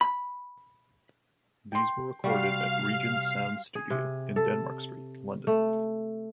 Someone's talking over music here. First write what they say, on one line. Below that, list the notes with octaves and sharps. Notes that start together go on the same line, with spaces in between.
These were recorded at Regent Sound studio in Denmark Street, London.
B5
G5 C6
C3 G3 F#4 F5
G#4
C3
A4
A3